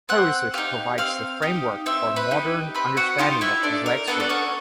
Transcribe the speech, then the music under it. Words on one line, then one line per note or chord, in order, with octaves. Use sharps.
Her research provides the framework for modern understanding of dyslexia.
C4 F#5 F#6
D#4 G4 F5 F6
C4 F5 F6
D#4 G4
C4 E5 E6
B4 B5
D#4 G4
C4 B4 B5
F#4 F#5
D#4 F4 G4 F5
E4 E5
A3 D4 D5
A#4
B3 D4 F#4 A4 B4
D5
C#4 C#5